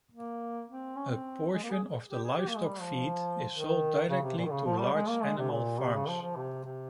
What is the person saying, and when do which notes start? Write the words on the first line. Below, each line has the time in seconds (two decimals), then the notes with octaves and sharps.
A portion of the livestock feed is sold directly to large animal farms.
0.12 A#3
0.68 C4
0.96 C#4
1.10 C4
1.53 G#3
1.63 A#3
1.72 G#4
2.10 G4
2.24 G#4
2.38 G4
2.48 A#3
2.57 G#3
2.66 G3
2.81 F3
3.52 D#3
4.09 C#3
4.23 C3
4.38 A#2
4.45 D#3
4.51 C#3
4.65 F3
4.80 G3
4.94 G#3
5.09 A#3
5.23 G#3
5.37 C3
5.51 A#2
5.79 C3
5.94 C#3
6.08 F3
6.22 F3
6.36 C3
6.64 C3